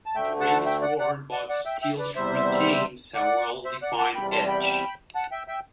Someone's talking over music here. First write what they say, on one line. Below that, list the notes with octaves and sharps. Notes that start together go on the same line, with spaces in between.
The rim is worn but still retains a well-defined edge.
A5
D2 D3 A3 E5 G5
F#5 A5
E5 G5
D5 F#5
D5 F#5
D5 F#5
D5 F#5
E5 G5
E5 G5
B4 D5
E2 C3 G3 C5 E5
D5 F#5
C5 E5
D5 F#5
F#5 A5
E2 C3 G3 G5 B5
A5 C6
G5 B5
F#5 A5
E5 G5
E5 G5